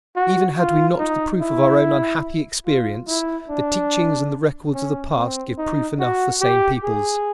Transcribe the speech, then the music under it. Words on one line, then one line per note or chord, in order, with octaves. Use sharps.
Even had we not the proof of our own unhappy experience, the teachings and the records of the past give proof enough for sane peoples.
F#4
F4
D#4
E4
F4
E4
D4
C#4
C4
D#4
F#4
G4
G#4